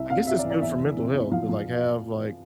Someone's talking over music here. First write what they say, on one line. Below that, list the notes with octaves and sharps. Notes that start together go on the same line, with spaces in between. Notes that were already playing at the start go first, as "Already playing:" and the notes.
I guess it's good for mental health to, like, have, like,
Already playing: C2 E5
C3 F5
F5
C3 E5
D5
E3
D5
E2 E5
E3
C3
E2
F3 F5
F3